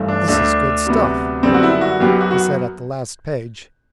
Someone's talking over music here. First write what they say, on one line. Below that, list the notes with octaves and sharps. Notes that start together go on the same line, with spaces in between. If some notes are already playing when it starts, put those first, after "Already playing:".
"This is good stuff," he said at the last page.
Already playing: G1 G2 E3 A3
D4
D2 D3 A3 D4
D2 C3 F#3 B3
F#1 F#2 D3 G3 B3 C4
F#4
E4
F#4
F#2 F#3 B3 G4
F#4
F#4